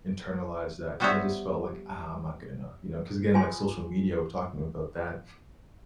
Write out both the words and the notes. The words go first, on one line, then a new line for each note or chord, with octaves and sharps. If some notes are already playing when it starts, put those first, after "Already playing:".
internalized that 'cause I just felt like, "Ah, I'm not good enough," you know? 'Cause, again, like social media, we're talking about that,
G3 B3 F#4 C5 C#5 E5
F4 G#5 C6